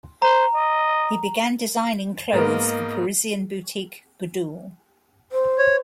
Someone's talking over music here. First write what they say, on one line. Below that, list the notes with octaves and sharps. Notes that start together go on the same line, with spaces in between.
He began designing clothes for Parisian boutique, Gudule.
C5 A#5
D#5
G#2 A#3 B3 A#4 D#5
C5
C#5